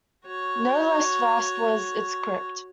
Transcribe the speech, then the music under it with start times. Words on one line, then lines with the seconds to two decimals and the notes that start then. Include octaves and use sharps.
No less vast was its crypt.
0.25 F#4 C#5